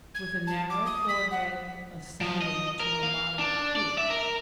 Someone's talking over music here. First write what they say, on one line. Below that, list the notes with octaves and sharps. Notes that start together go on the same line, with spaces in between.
With a narrow forehead, ascending to a moderate peak.
G#6
A5
D6
D#6
B6
F#5
F3
D#5
A#4
F5
D4
D5
E5
A#4